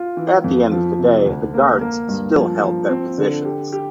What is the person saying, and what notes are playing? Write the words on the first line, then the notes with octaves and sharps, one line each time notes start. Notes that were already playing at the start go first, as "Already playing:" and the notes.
At the end of the day the Guards still held their positions.
Already playing: F4
E3
F2
F3
C3
D2
A#3
A#3
G2
F3
F3
C4
D3
G4
G4